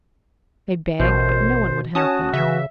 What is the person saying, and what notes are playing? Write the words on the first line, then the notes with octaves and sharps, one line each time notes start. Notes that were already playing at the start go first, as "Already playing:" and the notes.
They begged, but no one would help them.
A1 B2 A#4 C5
C#4 F#4 C#5 A5 D#6
C#3 E3 E5